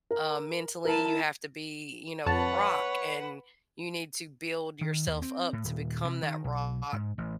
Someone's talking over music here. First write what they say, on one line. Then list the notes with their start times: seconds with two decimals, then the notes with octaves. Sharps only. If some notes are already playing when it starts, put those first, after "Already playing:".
um, mentally. You have to be, you know, a rock, and you need to build yourself up to become that rock
0.11 A#4
0.85 E4 A#4 A5
2.26 F2 B4 C#5 F#5 A5
4.81 D#3
5.07 D#2
5.22 C4
5.53 A2
5.65 D#1
6.05 C3
6.23 D#3
6.44 B1
6.93 G#2
7.18 A1